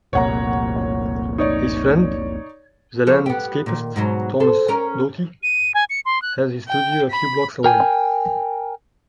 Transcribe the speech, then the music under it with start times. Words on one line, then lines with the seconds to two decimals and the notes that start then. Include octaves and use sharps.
His friend, the landscapist Thomas Doughty had his studio a few blocks away.
0.13 F1 C2 A#2 C#5 F#5 A#5
1.38 D#4 C#5 D5
3.06 D3 F3 C#5
3.26 B3 G4
3.66 A#2 D#3
3.96 G#2 B2 F#3
4.40 A4 C5
4.68 C#4 A#4
5.43 D#7
5.74 G#5
5.90 C#7
6.06 C6
6.22 F#6
6.68 G5
7.11 B5
7.64 A#4 G5 G#5